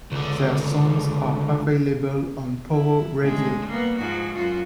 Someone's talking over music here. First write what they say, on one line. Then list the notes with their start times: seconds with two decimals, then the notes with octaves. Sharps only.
Their songs are available on Pow Wow Radio.
0.12 C#2 D3
2.70 E4
3.20 A2 D3 G#3
3.67 G3 A#3 B3
3.98 G#2 F3 F#4
4.33 F#2 F4 F#4